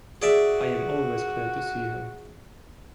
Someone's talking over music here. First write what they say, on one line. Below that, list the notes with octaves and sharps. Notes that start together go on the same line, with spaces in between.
I am always glad to see him.
F#4 G#4 D5 E5